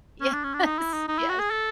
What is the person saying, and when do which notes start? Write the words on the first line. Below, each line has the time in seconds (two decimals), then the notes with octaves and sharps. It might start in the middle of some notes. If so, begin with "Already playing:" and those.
Yes, yes.
0.21 C#4
0.33 D4
0.44 C#4
0.54 D4
0.64 D#4
0.78 E4
0.93 D#4
1.08 D#4
1.18 E4
1.29 F#4
1.39 G#4
1.50 A4